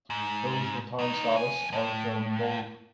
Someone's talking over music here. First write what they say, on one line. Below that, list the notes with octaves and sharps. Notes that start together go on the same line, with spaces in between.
Those with town status are shown in bold.
G#2
A2 D#4
F2 G#5
A2